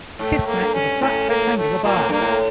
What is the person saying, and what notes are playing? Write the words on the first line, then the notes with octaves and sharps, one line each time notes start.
Kismet is a flat, rectangular bar.
A2 A3
A#3
G2
C#4
A2 C#4
A#3
A3
A#2 A#3
A2
G2 A#3
A2